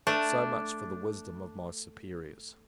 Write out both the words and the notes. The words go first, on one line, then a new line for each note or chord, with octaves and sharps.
So much for the wisdom of my superiors.
A3 D4